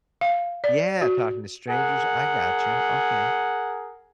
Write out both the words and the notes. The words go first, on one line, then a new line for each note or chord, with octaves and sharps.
Yeah, talking to strangers. I gotcha, okay.
F5
D5
F#4
G#4 A#4 F#5